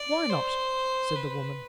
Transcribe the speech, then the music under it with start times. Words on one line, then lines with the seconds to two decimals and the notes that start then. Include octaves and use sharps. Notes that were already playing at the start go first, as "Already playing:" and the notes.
"Why not?" said the woman.
Already playing: D5
0.30 C5
1.16 B4